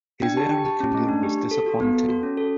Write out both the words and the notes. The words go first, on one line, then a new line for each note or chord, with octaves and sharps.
His early career was disappointing.
D4 G5
G4 A5
G4 G5
G4 A5
C#4
A3
D4
G4
G4
A4
F#4
B3
A4
F#4
C#4
A4